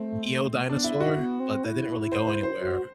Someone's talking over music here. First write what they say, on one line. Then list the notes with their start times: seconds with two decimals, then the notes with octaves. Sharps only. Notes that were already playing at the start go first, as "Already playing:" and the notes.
neo-dinosaur, but that didn't really go anywhere,
Already playing: A3 C4
0.69 B3 D4
0.84 E4
1.00 F#4
1.16 B3
1.40 C4
1.64 E4
2.12 C5
2.27 C5
2.43 C5
2.60 F#4